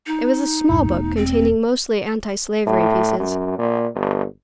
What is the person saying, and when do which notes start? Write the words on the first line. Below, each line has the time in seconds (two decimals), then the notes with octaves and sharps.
It was a small book, containing mostly Antislavery pieces.
0.07 D#4
0.69 D#1 B1 G2
0.89 E1 A3 B3
1.17 C4
2.67 A2
3.19 F#2
3.58 A#2
3.94 G1